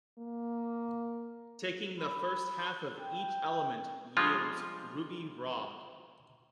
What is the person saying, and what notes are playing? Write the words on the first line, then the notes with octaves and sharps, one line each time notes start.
Taking the first half of each element yields "Rubi Rhod".
A#3
B5
G5
F3 G3 G#3 F4